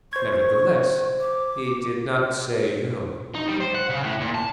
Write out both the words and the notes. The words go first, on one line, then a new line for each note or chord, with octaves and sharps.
Nevertheless, he did not say "no."
C5 C#6 G#6
D6
D#4
G3
C5
F#5
C#3
A2
A#2
A5